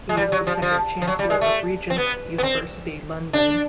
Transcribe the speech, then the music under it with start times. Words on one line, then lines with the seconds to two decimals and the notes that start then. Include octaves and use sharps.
He is the second Chancellor of Regent's University London.
0.09 G#3
0.17 G3
0.32 F#3
0.47 F3
0.62 F3
1.02 F3
1.08 F#3
1.19 G3
1.30 G#3
1.41 A3
1.90 C4
1.98 B3
2.38 B3
2.43 C4
3.33 D4